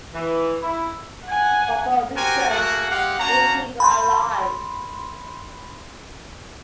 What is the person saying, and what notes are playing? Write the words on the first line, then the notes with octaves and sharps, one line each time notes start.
Robert Mitchum, if he were alive.
E3
E4
F#5 G#5
F#4 G4 A#4 C5 G5 G#5
A3 A#3 F#4 G#4 A#4 F#5
G#3 G4 F5 F#5
A#3 C#4 F#4 A5 A#5
B5 C6